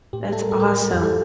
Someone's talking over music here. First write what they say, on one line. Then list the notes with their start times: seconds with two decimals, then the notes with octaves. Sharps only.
That's awesome.
0.13 A2 G4
0.32 G3 A4
0.42 A#4
0.51 A2 A4
0.60 A#4
0.68 A4
0.72 G3
0.93 F2 G4
1.04 A4